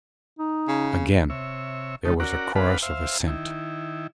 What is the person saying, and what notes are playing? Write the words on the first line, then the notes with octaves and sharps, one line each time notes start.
Again there was a chorus of assent.
D#4
C#3
C3 C#5 E5
C#3 A3 D#4
C#4 F#4 A#4 D5 F#5
C4 D4 B4 F5 F#5 B5
C5 E5 F5
D#3 E4